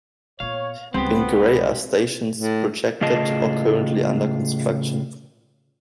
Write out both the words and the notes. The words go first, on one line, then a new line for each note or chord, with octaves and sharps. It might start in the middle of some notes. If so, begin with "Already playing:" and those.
In grey are stations projected or currently under construction.
A#2 B3 C#5 F5
C#2 G3 G#3 B3 C4 G4
A2
A2 C#3 F4 G#4 D#5 A5